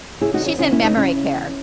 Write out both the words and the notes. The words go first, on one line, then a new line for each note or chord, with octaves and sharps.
She's in memory care.
C#3 E4 G#4
D#4 F#4
E2
C#4 E4
C#3 C#4 E4
C#4 E4
C#3
B3 D#4
C#3 C#4 E4
C#3
E2